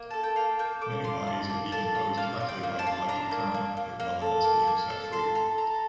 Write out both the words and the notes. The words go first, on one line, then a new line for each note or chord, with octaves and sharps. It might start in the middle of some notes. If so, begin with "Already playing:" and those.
Many bodies are decomposed directly by the electric current, their elements being set free.
Already playing: A#3
A4 A5
G5
A#3 F5
A#3 G5
A4 D6
F4 C6
A#3 A5
A#3
A4 A5
F4
A#3 F5
F4
G5
A#3
A5
F4
D4 A#5
A#3
A#3
A#3
A#3
A4
A#3
A#3
A4 A5
A4 C6
A4 A#5
A4 A#5